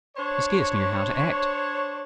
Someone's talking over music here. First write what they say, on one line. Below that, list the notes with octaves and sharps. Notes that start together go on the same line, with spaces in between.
He scarce knew how to act.
D4 C5 C#5